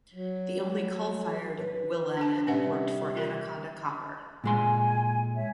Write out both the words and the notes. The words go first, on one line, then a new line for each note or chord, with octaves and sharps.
The only coal-fired Willamette worked for Anaconda Copper.
F#3
B4
D4 A4 A5
C3 G3 C#4 B4 F#5
F4 A#4
A#2 G#3 G#5 C6
C#5 E5